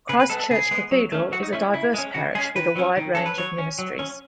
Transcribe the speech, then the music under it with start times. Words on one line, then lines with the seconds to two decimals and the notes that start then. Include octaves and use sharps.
Christ Church Cathedral is a diverse parish with a wide range of ministries.
0.09 C#3 B4
0.20 B4
0.30 G#3 B3 A4
0.40 A4
0.50 C#3 G#4
0.71 G#3 B3
0.91 F#3
1.12 A3 C#4
1.32 F#3 F#4
1.43 D#4
1.53 A3 C#4 E4
1.63 E4
1.73 C#3 E4
1.94 G#3 C#4
2.14 C#3 F#4
2.35 G#3 C#4 G#4
2.55 D#3 B4
2.76 F#3 C#4
2.97 D#3
3.15 F#3 C#4 A4
3.26 B4
3.38 F#3 C#5
3.58 C#4
3.79 F#3
3.99 C#4